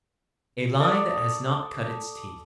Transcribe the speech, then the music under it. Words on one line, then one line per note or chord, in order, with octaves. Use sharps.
A lie that has not cut its teeth.
A4 D5 C#6 D#6